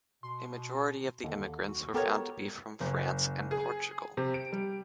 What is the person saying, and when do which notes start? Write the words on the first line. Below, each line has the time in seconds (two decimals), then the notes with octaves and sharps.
A majority of the immigrants were found to be from France and Portugal.
0.23 B2 C6
1.24 D#2 D3
1.66 F#4
1.94 B3 G4 A4 A#4 C#5
2.80 F#1
3.51 G#4
4.17 C3
4.34 D7
4.52 G3